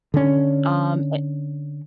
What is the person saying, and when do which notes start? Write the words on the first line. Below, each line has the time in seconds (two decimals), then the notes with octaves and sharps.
um, and
0.14 D3 C#4